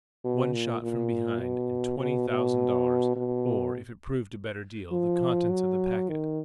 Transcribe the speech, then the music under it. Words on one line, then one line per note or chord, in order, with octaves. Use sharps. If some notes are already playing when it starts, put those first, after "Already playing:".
One shot from behind,--and twenty thousand dollars,--or, if it proved a better deal, the contents of the packet.
B2
A#2
A#2
B2
B2
B2
B2
F3
F#3
D#3